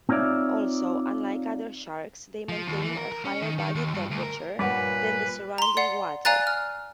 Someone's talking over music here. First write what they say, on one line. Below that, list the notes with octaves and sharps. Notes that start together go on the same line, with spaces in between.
Also, unlike other sharks, they maintain a higher body temperature than the surrounding water.
C4 D#4 F4 C#5 D5 E5
F3
D#2
E3
A#4
A#4
C#4
D#3
D#3
D#2
G2
D2
A#4
G2 A#2 B4 C#5 F#5 D6
A#5 C6
D5 F#5 C7
D5 F5 G#5 A#5 F#6 A6
F6